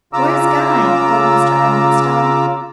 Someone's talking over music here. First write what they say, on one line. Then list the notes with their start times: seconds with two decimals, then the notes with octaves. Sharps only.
Where's Guy?' called Mr. Edmonstone.
0.13 C#3 F4 A#5 D6 E6